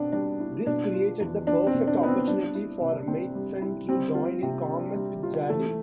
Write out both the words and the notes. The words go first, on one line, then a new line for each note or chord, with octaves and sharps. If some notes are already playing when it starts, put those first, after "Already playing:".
This created the perfect opportunity for Matheson to join in commerce with Jardine.
Already playing: B2 C4 D4
G3 D4
E4
B2 D4
F4
E2
B3 D4
C4
B2
D4
B3 F4
C4
G3 D4
E4
C3
C4
G3
E4
G3 C4
F4
C3
D4
G3
F4
E3 A3